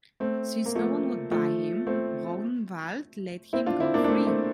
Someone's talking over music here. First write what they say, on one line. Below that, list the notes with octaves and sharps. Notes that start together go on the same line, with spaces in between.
Since no one would buy him, Rognvald let him go free.
A3 C4
A#3
F3 A3
F3 A3
A3 C4
C4 E4
D4 F4
C4 E4
A#3 D4
D4
A3 C4
A3 C4